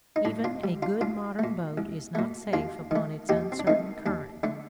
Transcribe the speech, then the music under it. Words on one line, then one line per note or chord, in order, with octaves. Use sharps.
Even a good modern boat is not safe upon its uncertain current.
D#4
A2 D4
D4 F4
G3
D4 F4
C2 D4 F4
A#2 A3
C2
A#2 A3
D#2 D4 F4
D#3 A3
D#2 D#4 G4
C4
D4
D#3 A3 C4 D#4
D#2 D4
D3 A3 D4